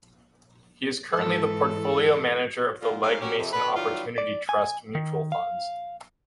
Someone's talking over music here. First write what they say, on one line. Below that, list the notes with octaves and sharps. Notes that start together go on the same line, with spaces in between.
He is currently the portfolio manager of the Legg Mason Opportunity Trust mutual funds.
G#2 E3 A4
A#2 D3 F4
G#2 F5
A#3 C#4 F#4 G4
F2 C3
B2 D3 B3 B4
D#3 E3 F#3 G3 F4
D5
G#5
D#3
F5